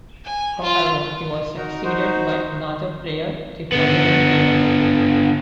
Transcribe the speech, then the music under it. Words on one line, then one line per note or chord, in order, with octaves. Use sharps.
However, he was succeeded by another player the following year.
G#5
F4
D#4 F#4 A#4 A#5
D#4 F#4 C5
D3 B3